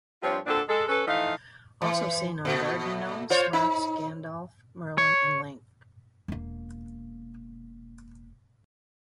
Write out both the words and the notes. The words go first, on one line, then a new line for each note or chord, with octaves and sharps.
Also seen on: Garden gnomes, Smurfs, Gandalf, Merlin, and Link.
G2 F3 C4 D4 F4 C#5
A#2 D3 C4 D4 F#4 A4
G#3 A4
C#4 A4 B4
E3 F3 A3 D#4 F5
E3
A#2 A3
F4 C5 C#5
D#4
C#5
E1 A#3